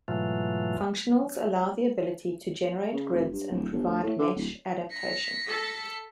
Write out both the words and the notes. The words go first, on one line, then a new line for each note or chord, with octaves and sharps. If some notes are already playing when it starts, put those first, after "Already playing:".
Functionals allow the ability to generate grids and provide mesh adaptation.
G#2 B2 E3 F#3 A3 F4
C#3
F1
G2
D1
G1
D2
A2
D3
D1
A#6 B6 C#7
A4